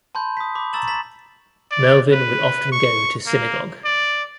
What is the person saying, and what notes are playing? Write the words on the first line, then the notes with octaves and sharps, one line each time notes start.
Melvin would often go to synagogue.
A5 B5 C6 G6
D#6 B6
B5 D6
A#5 C#6 E6 A6 E7 F#7
A6 B6 E7 F#7
D5
B4
C#6
A#3
D5